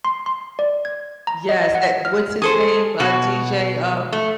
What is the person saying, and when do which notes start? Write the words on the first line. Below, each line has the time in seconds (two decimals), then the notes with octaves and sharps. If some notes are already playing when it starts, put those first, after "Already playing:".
Yes, that what's his name? Uh, DJ, um
0.05 C6
0.26 C6
0.59 D5
0.85 G#6
1.27 A#5
1.49 D#5
1.75 F#5
2.05 F6
2.42 G#4 A4 C5
3.00 B2 F#4
4.12 A3